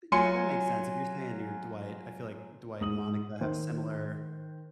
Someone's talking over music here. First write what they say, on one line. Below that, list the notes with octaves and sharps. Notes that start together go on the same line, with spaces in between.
You know, that makes sense. If you're saying you're Dwight, I feel like Dwight and Monica have similar
F#3 F4 G#5 C6 C#7
G#2 D#6 F#7
D#3 C5